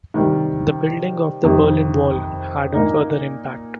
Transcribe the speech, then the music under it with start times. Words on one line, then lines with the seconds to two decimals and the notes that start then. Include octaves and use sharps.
The building of the Berlin Wall had a further impact.
0.14 C3 D#3 G3
1.43 F2 C3 D#3
2.74 A#2 A#3 D#4